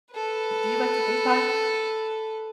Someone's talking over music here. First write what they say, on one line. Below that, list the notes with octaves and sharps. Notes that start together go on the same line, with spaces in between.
Do you like to FaceTime?
A4 B4